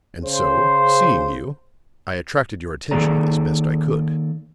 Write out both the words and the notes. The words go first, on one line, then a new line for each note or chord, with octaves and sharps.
"And so, seeing you, I attracted your attention as best I could."
C#3 C5
D#3 A#3 G#4 A4 D5 A#5